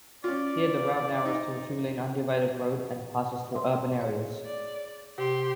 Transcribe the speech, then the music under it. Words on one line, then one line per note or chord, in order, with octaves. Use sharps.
Here, the route narrows to a two-lane undivided road and passes through urban areas.
C#4 F4 D5
D#4
E5 C6
G#4 C#5
D5
C3 G4 C6